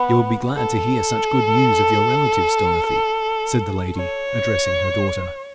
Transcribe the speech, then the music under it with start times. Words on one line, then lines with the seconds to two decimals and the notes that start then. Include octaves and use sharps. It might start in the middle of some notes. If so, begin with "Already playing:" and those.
'You will be glad to hear such good news of your relatives, Dorothy,' said the lady, addressing her daughter.
Already playing: B3
0.57 A4
3.97 C#5